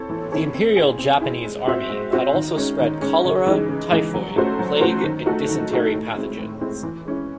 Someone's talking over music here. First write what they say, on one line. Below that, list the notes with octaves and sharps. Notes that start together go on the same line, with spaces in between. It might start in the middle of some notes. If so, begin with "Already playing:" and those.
The Imperial Japanese Army had also spread cholera, typhoid, plague and dysentery pathogens.
Already playing: C4 E4 A4 C#5
E3
C4 E4 A4 C#5
C4
E4 G#4
C4
E4 G#4
G#3
C4 F#4 C5 E5
G#3
C4 F#4 C5 E5
D#3
G#3 C#4
D#3
G#3 C#4
C#3
E3 G#3 D#4
C#3
E3 G#3 D#4
F#3
A3 C#4 F#4 C5
F#3
A3 C#4 F#4 C5
D#3
A3 D#4 F#4 A4
D#3
A3 D#4 F#4 A4
A2
G#3 C4 E4
A2
G#3 C4 E4
E3
G#3 C#4 E4